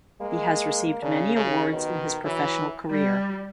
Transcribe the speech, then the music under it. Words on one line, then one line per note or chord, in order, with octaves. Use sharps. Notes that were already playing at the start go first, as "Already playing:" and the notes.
He has received many awards in his professional career.
G#3 A#3
C#3 D4
D#2 C#3
B2 D#3
E3 F#3
G3